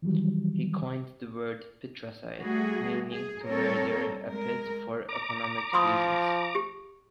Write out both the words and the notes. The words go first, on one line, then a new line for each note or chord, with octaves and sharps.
He coined the word "Pitracide", meaning "to murder a pit for economic reasons".
D#3 E3 F#3 G3
G3 A3 F#4 G#4
G#4
G3 C4 A4 A#4 C#5
G#3 A#4
A#5 D6
F3 B5 C6 D#6
G4